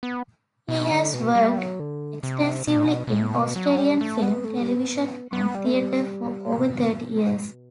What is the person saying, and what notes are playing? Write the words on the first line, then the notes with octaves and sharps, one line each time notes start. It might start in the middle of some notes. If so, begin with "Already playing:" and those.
He has worked extensively in Australian film, television and theatre for over thirty years.
B3
B2
D3
B2
G3
F#3
D3
C3
B2
A2
B2
B2
A2
B2
F#3
G3
A3
B3
A3
G3
B3
B3
G3
A3
G3
C3
B2